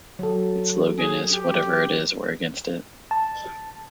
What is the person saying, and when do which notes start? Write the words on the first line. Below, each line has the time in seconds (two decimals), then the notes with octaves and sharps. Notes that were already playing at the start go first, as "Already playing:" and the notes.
Its slogan is Whatever it is, we're against it.
0.19 F#3 A4
0.98 G#4
1.33 G4
3.11 A5